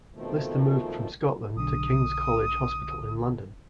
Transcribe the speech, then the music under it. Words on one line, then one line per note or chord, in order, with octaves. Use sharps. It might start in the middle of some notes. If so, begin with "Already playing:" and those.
Lister moved from Scotland to King's College Hospital, in London.
F2 B2 D#3 F3 A3
B1 D3 D#6